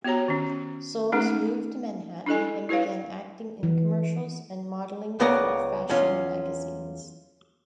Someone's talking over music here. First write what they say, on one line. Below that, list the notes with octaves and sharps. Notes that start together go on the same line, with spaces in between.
Soles moved to Manhattan and began acting in commercials and modeling for fashion magazines.
B3 F#4 G4 C#5 A#5
D#3 C#4
A3 C#4 D#4 G#4
D4 E4 A4 D#5 G#5
E4 G4 B4 C#5 F5
E3
C#2 C#3 B3 A#4 D5 A#5
E2 C#4 F4